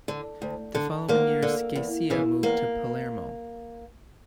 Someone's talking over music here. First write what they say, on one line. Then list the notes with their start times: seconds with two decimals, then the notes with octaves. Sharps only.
The following year Sciascia moved to Palermo.
0.08 D3
0.42 D2
0.75 D3
1.09 D2 A#3
1.43 D3
1.76 E2
2.10 C#3 E3
2.43 E2 A#3